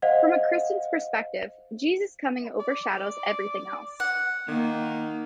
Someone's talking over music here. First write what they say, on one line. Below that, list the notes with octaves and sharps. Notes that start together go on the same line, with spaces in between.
From a Christian perspective, Jesus’ coming overshadows everything else.
C5 D#5 F5 F#5
D5
F#5
D#3 A#3